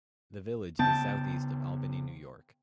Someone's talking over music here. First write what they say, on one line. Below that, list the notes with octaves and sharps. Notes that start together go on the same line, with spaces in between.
The village is southeast of Albany, New York.
C#3 B3 G5 A5